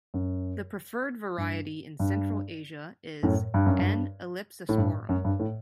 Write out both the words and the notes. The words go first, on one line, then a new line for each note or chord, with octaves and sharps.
The preferred variety in Central Asia is "N. ellipsosporum".
F#2
G2
G2
F#2 A2
G2
F#2
G2
A2
G2
F#2
G2
A2